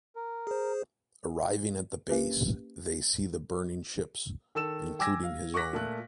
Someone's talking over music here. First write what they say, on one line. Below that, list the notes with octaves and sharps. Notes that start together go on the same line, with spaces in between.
Arriving at the base, they see the burning ships, including his own.
A#4
G#4 C5
A#3 C#4 G4 A#4 B4
D#3 A4 E6 E7
G5 G#5 D6 E6 G#6 A#6
F5
C#6 D6 F#6 A#6 B6
A#2 A3 F#6